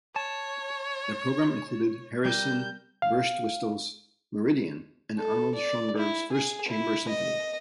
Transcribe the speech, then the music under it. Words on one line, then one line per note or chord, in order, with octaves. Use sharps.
The programme included Harrison Birtwistle's "Meridian" and Arnold Schoenberg's First Chamber Symphony.
C#5 A5
G3 G4 A#4 G6
F5
A4
D5
E4
G#4
E4
D#5